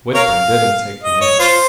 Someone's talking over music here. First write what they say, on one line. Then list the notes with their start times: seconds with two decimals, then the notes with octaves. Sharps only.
Whitburn didn't take the hint.
0.14 A#4 C#5 F5
1.03 D#5
1.21 C#5
1.40 F4 C5